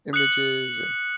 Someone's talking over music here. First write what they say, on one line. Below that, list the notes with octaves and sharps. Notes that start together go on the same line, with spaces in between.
images and
D#6 F#6 C#7 F#7